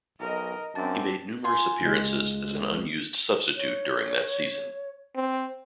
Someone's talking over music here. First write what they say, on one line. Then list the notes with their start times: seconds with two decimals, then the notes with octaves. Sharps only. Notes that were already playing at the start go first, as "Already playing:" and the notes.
He made numerous appearances as an unused substitute during that season.
0.20 B1 A#4 D#5
0.75 F#2 C4 D4 A5 A6
1.44 F4 G#5 C6
1.81 C#2 G#3
3.57 C#5
5.16 C4